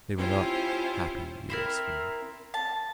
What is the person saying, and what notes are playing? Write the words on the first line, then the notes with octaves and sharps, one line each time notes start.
They were not happy years for me.
C#4 E4 F4 G4 C5
C4 E4 A#4
A5